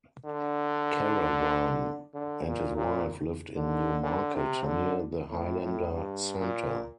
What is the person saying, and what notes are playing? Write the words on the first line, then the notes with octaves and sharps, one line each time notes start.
Carawan and his wife lived in New Market, near the Highlander Center.
D3
D3
A#2
A#2
D3
D3
C3
D3
A2
A2
G2
A#2